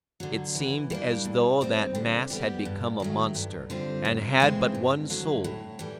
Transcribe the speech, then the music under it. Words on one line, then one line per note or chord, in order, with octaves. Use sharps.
It seemed as though that mass had become a monster and had but one soul.
D3 F#3
E3
G3 A#3 D4
A#2
G3 C4 D#4
D3
G3 B3 E4 G4
G2
D#3 F#3 A3
G2
D3 G3 C4 F4
F#2
C#3 E3 G#3 C4
G2
D3 F#3
A2
E3 G3